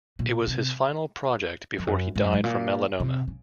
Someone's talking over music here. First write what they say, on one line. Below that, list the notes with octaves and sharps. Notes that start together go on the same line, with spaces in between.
It was his final project before he died from melanoma.
A#2
C3
F2
F#2
G#2
F#2
G#2
A#2
C3
C#3